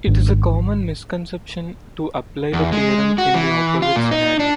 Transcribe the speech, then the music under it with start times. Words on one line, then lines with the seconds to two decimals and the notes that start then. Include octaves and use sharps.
It is a common misconception to apply the theorem in the opposite scenario.
0.07 G#1 D4
2.53 E2
2.72 G#3
3.18 F#4
3.34 E3
3.82 F4
3.96 A#2
4.11 D#4
4.39 D4